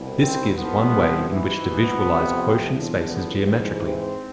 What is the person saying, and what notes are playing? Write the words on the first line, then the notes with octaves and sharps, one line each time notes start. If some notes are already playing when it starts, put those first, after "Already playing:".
This gives one way in which to visualize quotient spaces geometrically.
Already playing: C2 B2
C4
C2 C3 F3 B3
G#2 E3
B3
F2 C3 F3
E2 D3 F3
B3
G#2 E3 C4
C4